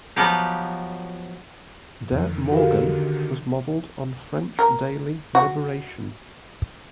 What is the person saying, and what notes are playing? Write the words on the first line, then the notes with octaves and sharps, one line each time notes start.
"De Morgen" was modelled on French daily "Liberation".
F3 F#3 B3 D#4 G4
F2 D3 D#3
F#4 G4 A4 A#4 F5
A#4
F#4